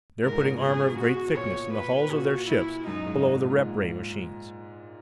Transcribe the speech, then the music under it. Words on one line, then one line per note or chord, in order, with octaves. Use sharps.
They're putting armor of great thickness in the hulls of their ships below the rep-ray machines.
G#2 A#4
A#2
B2
C#3
B2 G#4
F#4
A#2 C#5
B4
A#2 F#4
E4
F#2 D#4
G#2
G#2
A#2
G#2
A#2